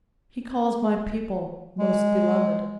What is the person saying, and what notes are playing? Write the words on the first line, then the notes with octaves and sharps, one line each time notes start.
"He calls my people 'most beloved'."
G#3